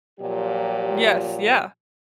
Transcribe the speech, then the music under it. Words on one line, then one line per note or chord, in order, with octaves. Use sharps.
Yes, yeah,
A#2 F3 F#3 G4